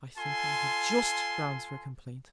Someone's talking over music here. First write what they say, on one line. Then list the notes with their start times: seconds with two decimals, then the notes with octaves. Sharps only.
I think I have just Grounds for Complaint.
0.18 F4 A4 G#5 C6